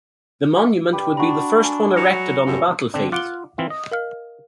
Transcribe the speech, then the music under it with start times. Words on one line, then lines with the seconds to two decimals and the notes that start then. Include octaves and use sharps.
The monument would be the first one erected on the battlefield.
0.92 D4 G4 B4
1.17 D4 F#4 A#5 B5 C#6
1.65 G#5
1.96 F#3 A#6 C#7 F7
2.46 F#2 C#4 F4 G4 A4
2.94 D3 C4 D4
3.12 F4 F#5 D6 D7 G7
3.58 E3 C4 F4
3.70 D#5
3.91 A#4 F5 F6